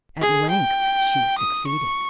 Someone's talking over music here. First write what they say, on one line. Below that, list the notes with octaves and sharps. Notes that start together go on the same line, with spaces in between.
At length she succeeded.
G#4
G5
D#6
C#6